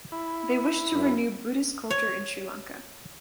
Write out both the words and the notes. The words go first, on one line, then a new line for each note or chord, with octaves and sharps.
They wished to renew Buddhist culture in Sri Lanka.
E4
F#2
C#5